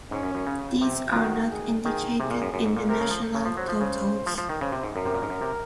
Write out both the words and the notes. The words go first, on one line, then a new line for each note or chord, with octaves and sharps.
These are not indicated in the national totals.
G#2 C#4
F#2
F#2
C#3
C3 C4
F3
D#3 F#4
G#4
D#3 G#4
C3 G#4
A#2
F#2
F#2
G#2
A#2
C3 A#4
C#3
F3
C#3
F3
F#3 C5
F3
C#3
F3
F3
D#3
C#3 C5
C3
G#2
F#2 A#4
C3
A#2
G#2
F#2
C3